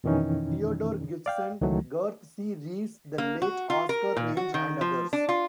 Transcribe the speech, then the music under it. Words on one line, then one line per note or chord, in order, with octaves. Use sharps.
Theodore Gibson, Garth C. Reeves, the late Oscar Range and others.
F2 B2 D#3 E3 C#4 D#4
D5 F5 G5
C#2 D#3 E3 F#3 A3
A#3
F#4
F4
A#4
A#2
F#4
D#3
F3
D4
F4